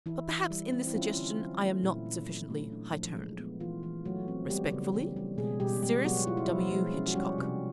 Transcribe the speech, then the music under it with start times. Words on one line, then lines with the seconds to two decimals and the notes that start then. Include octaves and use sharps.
But, perhaps in this suggestion I am not sufficiently high-toned.--Respectfully, CYRUS W. HITCHCOCK.
0.06 E3 E4
0.28 E3
0.50 G3
0.73 C4
0.87 E4
0.95 C#4 F4
1.17 D3
1.39 F#3
1.61 A3
1.83 A#2 E4
2.06 A#2
2.28 F#3
2.50 A3
2.72 D4
2.95 F3
3.17 G#3
3.39 B3
3.60 E3 F4
3.83 E3
4.05 F#3 A3 F#4
4.28 C4
4.49 G3 B3 G4
4.72 C#3
4.94 E3
5.16 G3
5.38 B2 G#3 G#4
5.60 B2 G3 G4
5.83 G3 G#3 G4
6.04 F#3 B3 F#4
6.27 E4 F4
6.37 E4
6.48 F3 F4
6.71 G#3
6.94 C#4
7.08 F#4
7.15 G3 C#4 G4
7.38 C3